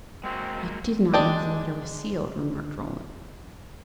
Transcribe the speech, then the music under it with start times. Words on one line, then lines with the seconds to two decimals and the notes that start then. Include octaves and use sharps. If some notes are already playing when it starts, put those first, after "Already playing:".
"I did not know the letter was sealed," remarked Roland.
0.24 G#3 A#3 C4 F#4
1.14 G#3 D4 G5